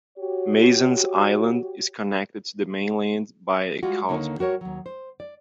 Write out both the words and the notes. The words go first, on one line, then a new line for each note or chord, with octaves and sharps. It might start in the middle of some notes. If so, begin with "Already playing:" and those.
Mason's Island is connected to the mainland by a causeway.
F#4 G4 C#5
G3 G#3 F4 F#4
D#2 D3 A#3 D#4 C#5
G3 F#4 A#4 C#5
D#2 F#3
C5
D5